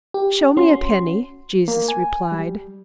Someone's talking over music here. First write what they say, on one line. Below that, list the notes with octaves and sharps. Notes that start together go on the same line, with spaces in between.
"Show me a penny," Jesus replied.
G4
C#4 F#4 C6
A#3
G#5
G3